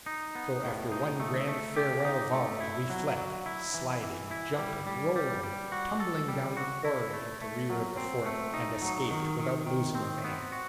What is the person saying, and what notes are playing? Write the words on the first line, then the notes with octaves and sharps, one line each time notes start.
So, after one grand farewell volley, we fled, sliding, jumping, rolling, tumbling down the quarry at the rear of the fort, and escaped without losing a man.
D#4
B3
A2
D#4
A3
A3
G4
D#4
A3
E4
F#3
F#3
E4
E3
E3
E4
G3
G3
G3
G3
F#4
A4
G3
F#4
E4
A3
A3
F#3
C4
A3
D#4
F#3
D#3
D#3
D#3
C4
B3
F#4